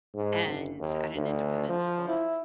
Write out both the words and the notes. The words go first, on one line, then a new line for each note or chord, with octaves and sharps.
and at an independent school,
G#2
F#1
D#2
D2
F3
E4